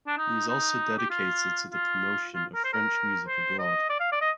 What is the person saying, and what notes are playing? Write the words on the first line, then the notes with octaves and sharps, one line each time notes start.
He is also dedicated to the promotion of French music abroad.
D4
D#4
D#4
G4
F4
F4
F4
A#4
C5
A#4
C5
D#5
D5
F5
D5
D#5